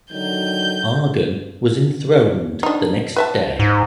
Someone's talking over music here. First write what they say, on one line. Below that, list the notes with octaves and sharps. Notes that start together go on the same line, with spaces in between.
Arghun was enthroned the next day.
D3 D#3 F#3 G6
D4 D#4
B4 E5 A5
G#2